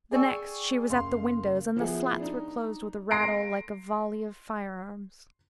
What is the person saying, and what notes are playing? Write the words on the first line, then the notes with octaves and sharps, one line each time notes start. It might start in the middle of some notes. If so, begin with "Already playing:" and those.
The next she was at the windows and the slats were closed with a rattle like a volley of firearms.
G#4 D5 G5 G#5 C#6 E6
F#1 F5 C6
F3 B3 E4 G#4
D4 D#4
C6 A#6 C7 D7